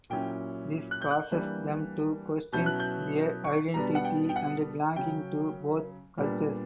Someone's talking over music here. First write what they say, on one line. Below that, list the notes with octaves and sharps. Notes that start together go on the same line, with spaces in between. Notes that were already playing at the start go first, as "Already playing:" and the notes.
This causes them to question their identity and belonging to both cultures.
A#2 F#3 C#4 E4 G5
F#6
G6
F#6
E3 G3 A#3 D4
B2 F#3 C#4 E4 G6
F#6
G6
C#6
B2 G3 B3 D4 A#5
F#5
G5
G5
F#5
C#3 F#3 C#4 G5
A#2 G3 B3 D4